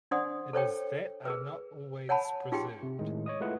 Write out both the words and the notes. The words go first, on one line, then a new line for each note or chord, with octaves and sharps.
It is that are not always preserved.
D4 C5 D5 F#5 C6 D#6
A4 C5 C#5 G5
G#4 A#4 B4
C#5 F#5 G#5 A5 B5
D#4 F4 G4 G#4 G5 C6
C3
A2 D#3 G#3
C#5 D#5 D#6
G#3 A3 E4 F4 B4 F#5